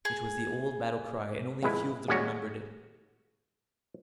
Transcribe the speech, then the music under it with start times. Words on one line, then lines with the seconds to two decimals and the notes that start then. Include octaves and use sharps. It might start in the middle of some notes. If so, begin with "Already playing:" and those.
It was the old battle cry, and only a few of them remembered it.
0.05 G#4
1.62 G#1 F2 G#3 E4 B4
2.08 D#2 G3 G#3 C#4 F#4 A#5